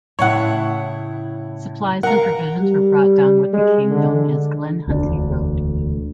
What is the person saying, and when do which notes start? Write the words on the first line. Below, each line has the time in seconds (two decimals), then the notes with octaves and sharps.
Supplies and provisions were brought down what became known as Glen Huntly Road.
0.19 A2 C#3 E4 C#5 F#5
2.03 A#4 F5 F#5 A#5
2.59 G3
3.53 G#3
3.90 D3
4.88 E1 D2 D4